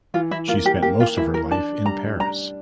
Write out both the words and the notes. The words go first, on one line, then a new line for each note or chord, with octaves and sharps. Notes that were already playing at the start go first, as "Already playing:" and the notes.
She spent most of her life in Paris.
E3 F4
E4
A#3 F4
G4
A#3 G4
F4
E3 E4
A#4
D4 A5
G3 A#5
D4 A#5